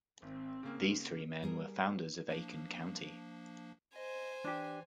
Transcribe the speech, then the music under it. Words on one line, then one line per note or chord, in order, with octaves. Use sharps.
These three men were founders of Aiken County.
G#1 C4
C#3 A#3
G3 G#4 A#4
F3 A#3 D4
C5 D#5 G#5
E3 D4 G4